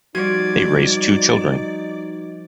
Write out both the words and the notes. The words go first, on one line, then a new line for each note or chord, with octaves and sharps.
They raised two children.
F3 G3 D#4 F#4 D5 G#6